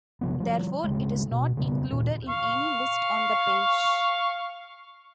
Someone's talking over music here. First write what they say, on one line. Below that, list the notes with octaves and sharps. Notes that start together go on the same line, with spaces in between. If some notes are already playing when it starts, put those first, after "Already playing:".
Therefore, it is not included in any list on the page.
C3 F3 B3
F3 G3
D1 C#3 G3 G#3
B2
C#3 G3 B3
D2 A#2
F5 C#6